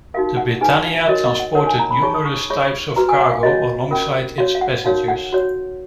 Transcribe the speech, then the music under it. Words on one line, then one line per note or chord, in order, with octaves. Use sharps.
The Britannia transported numerous types of cargo alongside its passengers.
D#4 F#4 A#4 F5
F#5
D#4 G#4 B4 G#5
F5
F#4 A#4 C#5 D#5
D#5
F#5
D#4 A#4 C#5 F#5
G#5
A#5
B5
D#4 G#4 C#5 C#6
D#6
C#6
F4 G#4 C#5 C#6
F#4 B4 A#5
G#5
F#5
F5
F#4 C#5 D#5
C#4 F4 A#4
F#4 C#5 F5
F5
F#5
D#4 F#4 A#4 C#5 F5
F#5
F#4 C#5